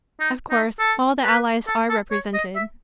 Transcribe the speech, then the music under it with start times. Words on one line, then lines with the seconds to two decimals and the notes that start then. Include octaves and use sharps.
Of course, all the allies are represented.
0.20 D#4
0.51 D#4
0.79 A4
1.24 B4
1.68 A4
1.90 A4
2.11 C#5
2.34 D#5
2.56 E5